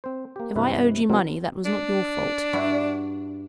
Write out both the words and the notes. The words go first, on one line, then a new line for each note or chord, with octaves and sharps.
If I owed you money, that was not your fault.
C4 C5
A#3 G4
G2 C3 G#3 E4 B4
B2 E3 F#3 C4 A#4
D4
G2 E4 F#4